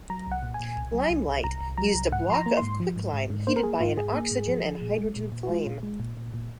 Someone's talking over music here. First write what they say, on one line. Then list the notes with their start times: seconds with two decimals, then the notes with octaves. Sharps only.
Limelight used a block of quicklime heated by an oxygen and hydrogen flame.
0.10 F#3 A#5
0.27 C2 F#5
0.43 A#2
0.54 G#5
0.60 A#2
0.77 C2
0.94 F#3
1.10 C2
1.28 C2
1.44 C2 A#5
1.61 C2
1.78 F#3 A#5
1.95 C2
2.12 G#2 F#5
2.28 F3 C6
2.34 A#5
2.46 A#3
2.57 G#2 C6
2.80 F3
2.96 G#2
3.13 G#2
3.30 G#2
3.47 A#3 C5
3.56 A#4
3.63 A#3 G#4
3.81 G#2 F4
3.97 G#2 G#4
4.14 A#3
4.31 G#2
4.48 F3
4.65 F3
4.82 A#2
4.98 G#3
5.16 A#2
5.32 A#2
5.43 F#4
5.49 G#3 F4
5.66 A#2
5.83 G#3
6.00 A#2
6.17 A#2
6.34 A#2